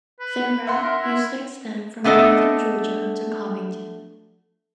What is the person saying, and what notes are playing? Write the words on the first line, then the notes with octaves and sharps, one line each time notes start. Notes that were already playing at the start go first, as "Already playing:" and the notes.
Their route used to extend from Macon, Georgia to Covington.
B4
E5 F#5 C6
A#4
E4
A3 B3 D4 A4 D#5